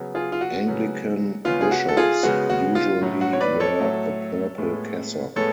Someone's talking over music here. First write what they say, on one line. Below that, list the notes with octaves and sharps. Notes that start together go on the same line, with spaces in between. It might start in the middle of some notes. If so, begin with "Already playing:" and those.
Anglican bishops usually wear a purple cassock.
Already playing: C#3 F#3 B3
F4 G#4
F4
F#4
C#3 F#3 B3
C#3 G#3 B3 F4
G#4
F#4
A4
F4 G#4
C#3 G#3 B3 F#4
F#4
F4
A2 F#3 A3
F#4
C#5
B4 D5
A4 C#5
A2 F#3 A3
A2 G#3 B3
A2 G#3 B3 A4 C#5